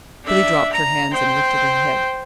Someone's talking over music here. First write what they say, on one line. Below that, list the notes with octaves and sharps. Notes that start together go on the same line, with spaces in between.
Billy dropped her hands and lifted her head.
D4 E5
A#5
C5 G5